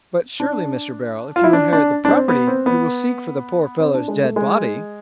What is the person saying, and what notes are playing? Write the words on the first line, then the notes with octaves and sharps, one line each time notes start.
"But surely, Mr. Beryl, if you inherit the property, you will seek for the poor fellow's dead body?"
D4
F4
E4
D4
D4
D4
C4
B3
C4
B3
C4
D4
G#3
A3
G#3